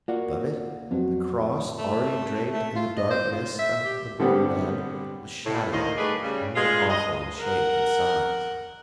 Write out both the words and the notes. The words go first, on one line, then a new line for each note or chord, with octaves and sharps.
Above it the cross already draped in the dark mists of the borderland was shadowy and more awful in shape and size.
A#3 F4 F#4 D5 F#5
F2 F#3 B3 C4 F#4
F#4
A3
A3
F4
D#5
C5
F4
E5
G4
D3 G3 B3 C4 G4
A2
D2 D#3 A#3 C5 D#5
G3 A3 D#4 G4 G#4 B4
C#3 G3
G#3 F4
D#5
A#4 F#5